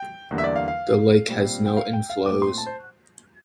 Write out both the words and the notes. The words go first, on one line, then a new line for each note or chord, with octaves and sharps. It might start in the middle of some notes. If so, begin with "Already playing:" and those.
The lake has no inflows.
Already playing: G5
E2 D3 G3 A#3
E5
D5
F5
F5
A#2 G3 C4
G5
F5
G5
F5
A#2 A3 C4 D6
C6
A5
C5